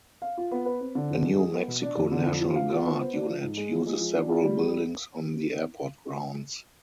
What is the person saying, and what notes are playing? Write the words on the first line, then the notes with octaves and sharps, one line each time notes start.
A New Mexico National Guard unit uses several buildings on the airport grounds.
F5
F4
B3
B4
C4
D3
F2
G#3
G#4
B3
B2
D4
F2
D3
F2
F3
F5
F4
B3
C5
D4
F3
G#2
G#3
F3
G#3
F3
D4
F4
G3